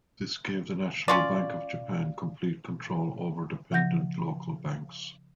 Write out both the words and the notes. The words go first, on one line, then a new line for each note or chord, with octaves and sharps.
This gave the national Bank of Japan complete control over dependent local banks.
C#4 F4 D5
C#3 F3 F#5 G6 A#6